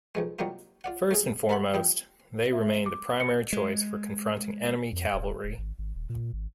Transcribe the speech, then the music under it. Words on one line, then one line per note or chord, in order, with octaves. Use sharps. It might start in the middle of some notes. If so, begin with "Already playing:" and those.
First and foremost they remained the primary choice for confronting enemy cavalry.
B1 F3 G#3
C2 F#3 G3 A#3 D#4 F4
F4 D5 F#5
A3 G#4
A4 A#4 E5 F#5 B5
F3 G3 E4 G4
E5
D6
C#7
G#3
F2
D#1
D#1
G#1
G#1
D#1
A#2
G#1